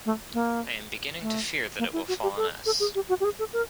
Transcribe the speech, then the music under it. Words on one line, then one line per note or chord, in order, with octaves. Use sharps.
I am beginning to fear that it will fall on us.
A3
A#3
A3
A#3
E4
F#4
G4
A4
A4
G#4
G4
F#4
G4
G#4
A4
A#4